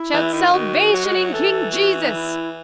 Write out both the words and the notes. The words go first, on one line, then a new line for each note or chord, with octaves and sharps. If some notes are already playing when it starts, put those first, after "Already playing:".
Shout salvation in King Jesus.
Already playing: E4
E3
D#3
D#3 F#4
F#3
G#3
F#3
E3 A4
F#4
D#4
E4